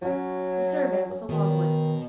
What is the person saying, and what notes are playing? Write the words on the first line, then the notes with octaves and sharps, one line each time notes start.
The survey was a long one.
F#3 C#4 F#4
B2 D#3